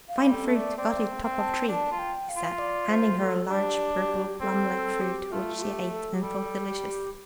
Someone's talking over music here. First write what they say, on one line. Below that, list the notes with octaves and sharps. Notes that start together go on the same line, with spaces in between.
"Fine fruit, got it top of tree," he said, handing her a large purple, plum-like fruit which she ate and thought delicious.
F5
G3
A4
A3
D5
C4 D5
C4
A5
D4 A5
F4
G5
F5
F4
F5
D5
C5
A4
D4 G4
G4
C4 A4
A4
G4
A3 F4
F4
G4
A4
G4
G3 A4
G4